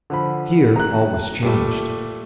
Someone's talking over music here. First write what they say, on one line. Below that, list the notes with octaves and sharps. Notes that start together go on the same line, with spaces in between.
Here all was changed.
D3 F3 B5
A#5 F#6
A#2 G3 A3